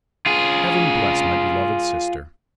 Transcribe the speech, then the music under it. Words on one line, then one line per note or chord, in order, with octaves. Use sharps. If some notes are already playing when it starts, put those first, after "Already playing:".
Heaven bless my beloved sister!
F4 G#4